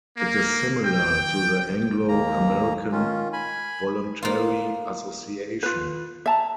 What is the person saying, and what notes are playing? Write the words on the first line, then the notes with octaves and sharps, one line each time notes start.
It is similar to the Anglo-American voluntary association.
A#3
G5
D#2 A#3 A#5
D#3 C#4 F4
G#5 B5
A#3 F4
F4 B4
E5 A5 A#5